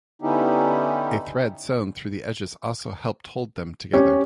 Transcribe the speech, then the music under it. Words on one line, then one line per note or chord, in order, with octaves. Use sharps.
A thread sewn through the edges also helped hold them together.
D3 B3 C#4 D#4 E4 G4
C#4 G4